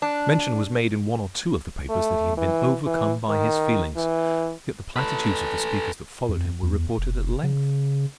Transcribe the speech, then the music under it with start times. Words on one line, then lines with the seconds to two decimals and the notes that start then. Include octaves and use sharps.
Mention was made in one or two of the papers that he had been overcome by his feelings. Yet the platitudes of the speakers that followed him were reported at length.
0.02 D4
1.90 A3
2.37 E3
2.86 E3
3.29 D#3
3.96 E3
4.96 A4 B4
6.29 F2
6.62 E2
6.98 F1
7.43 C#3